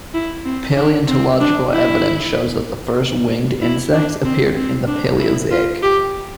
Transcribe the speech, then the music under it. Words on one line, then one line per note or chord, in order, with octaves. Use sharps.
Paleontological evidence shows that the first winged insects appeared in the Paleozoic.
E4
C4
D4
C4
D4
E4
E4
D4
C4
C4
D4
E4
F4
G4